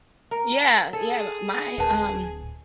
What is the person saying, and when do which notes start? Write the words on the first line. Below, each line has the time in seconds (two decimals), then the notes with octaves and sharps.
Yeah, yeah, my, um
0.31 A#4
0.93 G#4 A4
1.78 D1 A#4 B4 A5